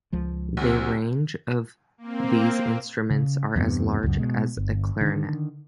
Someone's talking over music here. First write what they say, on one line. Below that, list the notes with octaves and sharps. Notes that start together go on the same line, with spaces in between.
They range of these instruments are as large as a clarinet.
C#2 F3 G#3
D2 C3
A#3 C4
C#3
E2 G2 C3 B3
C#2 F#2
B2 G#3
G1
D3 D#3